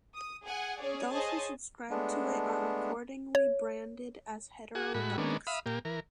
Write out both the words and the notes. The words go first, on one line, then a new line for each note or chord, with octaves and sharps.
Those who subscribe to it are accordingly branded as heterodox.
D#6
G#4 F#5 G#5
C#4 G#4 C#5 D5
G#4 C5 C#5 D#5 G#5 A5
G#3 A3 B3 D4
C#5
F#4 G#4
A2 G#3 F#4 B5
D#3 G#3 A#3 B3 C#4 D4
E5 F5 B5 D#6
A#2 A#3 G4
E3 A#4